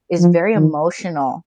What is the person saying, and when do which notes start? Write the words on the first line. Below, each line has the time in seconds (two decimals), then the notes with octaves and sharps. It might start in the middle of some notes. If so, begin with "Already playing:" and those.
is very emotional
0.19 F3
0.56 D#3